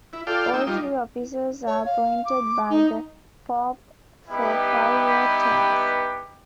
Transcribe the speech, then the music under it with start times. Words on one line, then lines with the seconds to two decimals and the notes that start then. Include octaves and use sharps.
All three officers are appointed by the pope for five-year terms.
0.13 E4
0.27 F4 A4 D5 F5 G5
0.54 A#3 D#4 G5 E6
0.67 G3 D#4 F4
1.67 C#5
1.85 F5
2.25 D6
2.70 D#4
4.29 G3 B3 D#4 E4 G4 B4